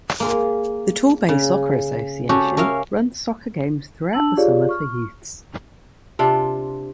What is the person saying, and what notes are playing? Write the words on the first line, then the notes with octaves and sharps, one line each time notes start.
The Torbay soccer association runs soccer games throughout the summer for youths.
A#3 G#4 C6
C#3
C#4 F#4 G4 A4
C#4 A#4 E5 F5
D4 A5 E6 F#7
F4 G4 G#4 C#5 D5 F5
C#6 F6
C3 D4 F4